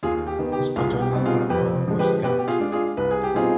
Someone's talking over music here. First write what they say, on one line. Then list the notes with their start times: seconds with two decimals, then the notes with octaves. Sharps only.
His paternal grandfather was Capt.
0.03 D#2 F4 G#4
0.27 G4
0.39 D#3 B3
0.52 G4
0.76 C2 F4 G#4
1.01 G4
1.13 B2 G3 C4 D#4
1.25 F4 G#4
1.49 F2 G4 B4
1.87 D3 F3 G#3
1.99 G4 B4
2.23 B2 G4 B4
2.38 G4
2.48 F4 G#4
2.60 G#3 D4
2.72 F4 G#4
2.97 C2 B4
3.11 G#4
3.23 G4
3.34 B2 G3 C4 D#4 F4 G#4